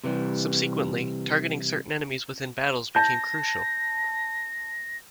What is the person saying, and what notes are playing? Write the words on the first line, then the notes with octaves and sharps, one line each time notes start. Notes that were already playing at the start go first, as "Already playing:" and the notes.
Subsequently, targeting certain enemies within battles becomes crucial.
C3 E3 F#3 G3
A5 G6 A#6